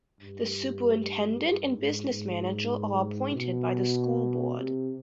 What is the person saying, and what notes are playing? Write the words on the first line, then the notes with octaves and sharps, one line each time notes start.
The Superintendent and Business Manager are appointed by the school board.
G2
G2
G#2
G#2
B2
C3